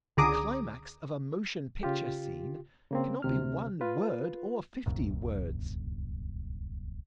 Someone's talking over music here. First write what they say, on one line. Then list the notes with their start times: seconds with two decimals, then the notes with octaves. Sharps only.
The climax of a motion picture scene cannot be one word or fifty words.
0.17 C#2 D3 G#4 A#5 D6 D#6
1.83 C#3 F4 G4
2.90 C#3 A#3 C4
3.22 D2 C3 F6
3.81 F4 B4
4.86 D1 C2 F#2 A#2